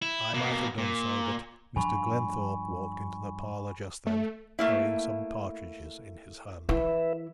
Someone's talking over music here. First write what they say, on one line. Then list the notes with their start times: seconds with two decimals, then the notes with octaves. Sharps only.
I might have done so, but Mr. Glenthorpe walked into the parlour just then, carrying some partridges in his hand.
0.02 E4
0.34 B2 A#3
0.78 A#2
1.76 G2 F3 D4 G#5 B5 C#6
4.07 A3
4.59 A3 A#3 E4
6.69 E3 E4 B4 E5